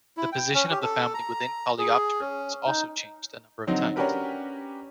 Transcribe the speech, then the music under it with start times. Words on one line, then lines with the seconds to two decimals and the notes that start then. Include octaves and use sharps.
The position of the family within Coleoptera has also changed a number of times.
0.17 E4
0.32 G5
0.54 C#4
0.71 G4
0.82 A4
1.14 A#5
1.78 G#4
2.21 C#4
2.66 D#4
3.67 D3 F#3 C4 D#4
3.96 C#4 D4 F#4 G4 A#4 B4